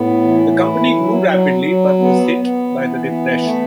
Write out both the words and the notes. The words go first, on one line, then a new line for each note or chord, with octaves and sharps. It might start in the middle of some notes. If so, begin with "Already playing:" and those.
The company grew rapidly, but was hit by the depression.
Already playing: A2 B3
E3
E4
F#3
F#3
F#3
B3
B3
E3
B3
A3